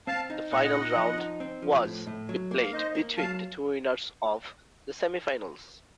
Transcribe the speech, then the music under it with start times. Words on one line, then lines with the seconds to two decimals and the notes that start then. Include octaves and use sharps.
The final round was be played between the two winners of the semifinals.
0.07 C4 F5 A5
0.30 D#4
0.52 A#2 D#5 F#5
0.74 D#4
0.96 F3
1.18 D#4
1.40 C4
1.62 F3
1.85 A2
2.07 A2
2.29 F#3
2.51 A#3
2.61 F5
2.73 D#4 C5 D#5
2.95 A#3
3.18 F#3 F5 A5